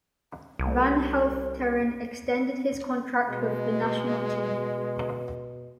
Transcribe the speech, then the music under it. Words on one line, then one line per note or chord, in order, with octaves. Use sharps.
Van Helfteren extended his contract with the national team.
C2
B2 G#3